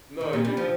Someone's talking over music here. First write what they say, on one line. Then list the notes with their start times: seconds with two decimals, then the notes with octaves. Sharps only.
No, you kno
0.21 D#3
0.33 A#2
0.45 G3
0.57 F3